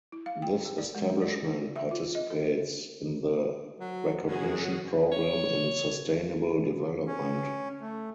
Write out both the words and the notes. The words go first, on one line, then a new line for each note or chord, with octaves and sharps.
This establishment participates in the recognition program in sustainable development.
E4
F5
G5
G4
D5
G#3
D5
D#4
E5
F4
D#5
A4
F#3
F#2 C#4 F#4 G#4
C#5
C#4
A3